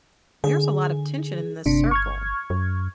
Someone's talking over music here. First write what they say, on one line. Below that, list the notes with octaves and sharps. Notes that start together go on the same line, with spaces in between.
There's a lot of tension in this circle.
D3 G#4
G1 C3 D4
C#6 F6 G#6
F#2